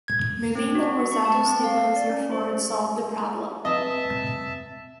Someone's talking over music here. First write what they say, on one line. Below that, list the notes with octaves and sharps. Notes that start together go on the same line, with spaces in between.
Moving the horizontal stabilizer forward solved the problem.
G#6
C4
F#4
C#6
C#6
A5
C4
F5
D5
C#4
C5
C4 B4 D#5 E5 G#5 A5